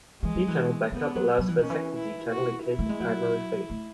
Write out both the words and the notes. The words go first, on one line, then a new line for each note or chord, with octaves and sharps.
D-channel backup allows for a second D channel in case the primary fails.
E3 G#3
F#3
E3
G#3 B3
F#3
F#3
E3
D#3 C#4
E3
E4
F#4
E4
A3
G#3
F#3
A3